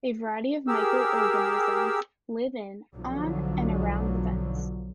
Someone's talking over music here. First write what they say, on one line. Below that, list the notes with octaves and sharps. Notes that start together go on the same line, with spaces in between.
A variety of microorganisms live in, on, and around the vents.
G4 G#4 A#4 E6
B1 D3 F3 F#3